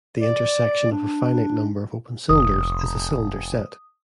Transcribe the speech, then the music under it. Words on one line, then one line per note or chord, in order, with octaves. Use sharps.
The intersection of a finite number of open cylinders is a cylinder set.
D5
D4
F1 D#6